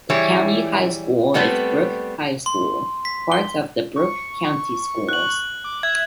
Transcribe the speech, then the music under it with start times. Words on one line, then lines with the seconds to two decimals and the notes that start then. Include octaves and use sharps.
The county high school is Brooke High School, part of Brooke County Schools.
0.09 E3 G3 E4 G#4 C#5
1.34 G3 A3 B3 C4 B4
2.46 C6
3.05 B6
3.32 G7
3.96 C#6
5.09 F#6 F#7
5.64 D6
5.83 E5 G#6